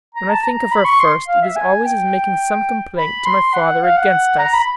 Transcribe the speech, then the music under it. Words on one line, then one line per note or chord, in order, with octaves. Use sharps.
When I think of her first, it is always as making some complaint to my father against us.
A#5
A5
A#5
B5
C#6
C6
F5
E5
G#5
G5
B5
C6
F#5
F5
F#5
A#5
B5